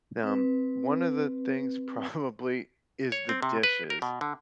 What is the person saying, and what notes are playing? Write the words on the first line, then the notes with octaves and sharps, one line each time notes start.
n um, one of the things probably is the dishes,
C4 B4
C#5
C4
C3
B4
A#4
B2
D3